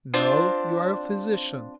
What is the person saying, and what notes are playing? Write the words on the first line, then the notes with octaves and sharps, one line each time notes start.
No, you are a physician!
C4 D4 F4 C5